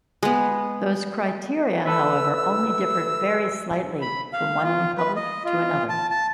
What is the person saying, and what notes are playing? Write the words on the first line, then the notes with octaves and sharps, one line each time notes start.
Those criteria, however, only differed very slightly from one republic to another.
G#3 B3
A4 B4 E5 E6
B5
F5
F4
B4
D#5
F4
A5
A5